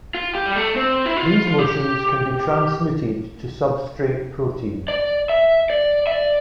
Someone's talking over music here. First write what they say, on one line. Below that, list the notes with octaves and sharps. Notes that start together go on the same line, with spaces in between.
These motions can be transmitted to substrate protein.
F4
G4
G3
A3
C4
E4
F4
F4
G4
D5
E5
D5
E5
D5